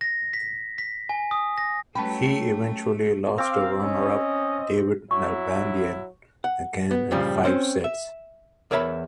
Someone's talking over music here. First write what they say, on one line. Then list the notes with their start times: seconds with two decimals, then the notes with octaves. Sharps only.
He eventually lost to runner-up David Nalbandian, again in five sets.
0.01 A#6
0.33 B6
0.78 B6
1.09 G#5
1.31 D#6
1.58 A#6
1.95 F#3 A3 C#4 B4 G5 A5
3.38 C4 F5 D6
3.83 C#4 D#5
5.11 F#3 E4 C#6
6.44 F#5
6.91 B3
7.11 G2 A#2 C#3 F3 G3
7.45 C4 C#4 C5
7.84 E5
8.71 E2 A#4 C#5 E5 A5 B5